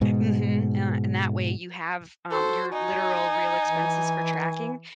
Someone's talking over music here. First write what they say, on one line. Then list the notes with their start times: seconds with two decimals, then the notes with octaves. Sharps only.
Mhm, uh, and that way, you have, um, your literal real expenses for tracking.
0.01 G#2 B2 G#3
2.31 F#4 A4 C5
2.73 D#4 G#5
3.67 E3